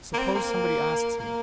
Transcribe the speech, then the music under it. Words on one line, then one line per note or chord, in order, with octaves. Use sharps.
"Suppose somebody asks me?"
A#3
C4
A#3
A#3